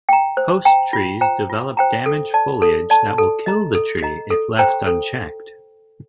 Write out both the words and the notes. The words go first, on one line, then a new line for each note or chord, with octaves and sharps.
Host trees develop damaged foliage that will kill the tree if left unchecked.
G5 A#5
C5
G5 A#5
F4
C5 G5 A#5
F4
C5 G5 A#5
A4
D5 A5
A4
D5 A5
A4
D#5 A#5
A4
D#5 A#5
A4
C5 G5 A#5
A4